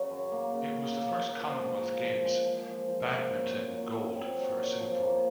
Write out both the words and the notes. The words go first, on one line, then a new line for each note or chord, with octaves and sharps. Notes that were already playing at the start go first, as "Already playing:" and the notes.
It was the first Commonwealth Games badminton gold for Singapore.
Already playing: C#3 F#3
F#2
A#3
C#3
A#3
A#3
A#3
F3
G#3
F3
F3
G#3
F3
F3
F3
A#2
F#3
A#2
F#3
A#2
C4
F#3
F#3
F3
A#3